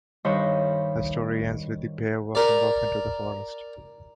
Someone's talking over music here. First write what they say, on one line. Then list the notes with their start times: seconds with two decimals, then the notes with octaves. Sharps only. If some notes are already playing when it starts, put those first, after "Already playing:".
The story ends with the pair walking off into the forest.
0.24 G2 D#3 C5 C#5 D#5 B5
2.35 A#4 D5